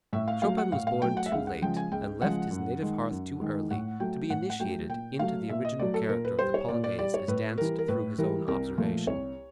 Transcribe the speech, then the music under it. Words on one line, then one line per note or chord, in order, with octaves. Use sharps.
Chopin was born too late, and left his native hearth too early, to be initiated into the original character of the Polonaise as danced through his own observation.
A2 E5
F5
F#3 A3 F5
F#5
A2 F5
F5
F#3 A3 G5
F#5
E5
C#2 F5
F#5
C#3 F3 G#3 G5
G#5
C#2 G5
C#3 F3 G#3 F#5
F#2
D#3 G#3
F#2
D#3 G#3
A2 F#5
F#3 A3 G5
A2 F#5
F#5
F#3 A3 G5
A#2 G5
F#3 A3 F5
A#2 E5
D#5
F#3 A3 D5
A4
A#2 A#4
B4
G3 C5
C#5
A#2 D5
D5
G3 D5
C#5
A2 B4
E3 G3 A#4
A#4
A2 B4
E3 G3 A#4
C2 A#4
A#2 F3 A3
C2 C#5